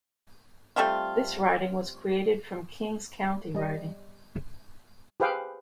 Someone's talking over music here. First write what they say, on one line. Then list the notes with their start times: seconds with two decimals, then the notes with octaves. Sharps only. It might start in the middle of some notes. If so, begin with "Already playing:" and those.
This riding was created from King's County riding.
0.76 G3 A3 C4 F4
3.55 G3 D#5
5.20 G4 G#4 B4 C5 F5 G5